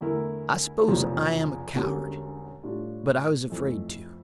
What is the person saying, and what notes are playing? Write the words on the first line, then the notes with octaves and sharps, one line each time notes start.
I suppose I am a coward, but I was afraid to.
E2 D3 A3 E4 A#4
F1 E2 C#3 F3
E1 E2 D3 G3 C#4
A2 G3 D4 F4
F2 E3 A3